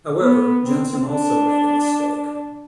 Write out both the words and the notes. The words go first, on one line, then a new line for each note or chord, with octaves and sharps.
However, Jensen also made a mistake.
B3
C4
D4